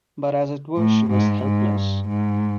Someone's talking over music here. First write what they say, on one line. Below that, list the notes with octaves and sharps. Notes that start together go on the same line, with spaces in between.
But as it was she was helpless.
A2
G#2
G#2
G2
G#2